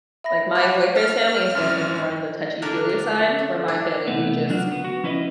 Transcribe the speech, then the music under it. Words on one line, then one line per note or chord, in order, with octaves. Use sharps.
Like, my boyfriend's family is definitely more on the touchy feely-side, where my family, we just
E5 B5 A#6
F#4 A5 B5 C#6 D6 F#6
F6
G#1 F#2
D3 F#3 A#3 D4 A#4 B4
D4
A3
D4
C3 E3 A3 B3
F#3 D4 F4 F#4
D2 B3
F#4
F3 C#4 E4 B4 C#5 D#5